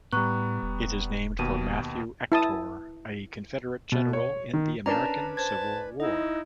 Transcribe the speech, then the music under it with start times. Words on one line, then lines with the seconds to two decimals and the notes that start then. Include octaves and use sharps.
It is named for Mathew Ector, a Confederate general in the American Civil War.
0.12 A2 G3 B3 A#5 C#6 F#6
0.63 E1
1.39 D#2 B2 D#7
2.32 E4 A5 D#6
3.92 B2
4.13 C#5
4.53 D#3
4.86 C#4 D4 A#4 B4 A5 A#5
5.37 C5 A5 G#6
6.00 D#4 E4 D#5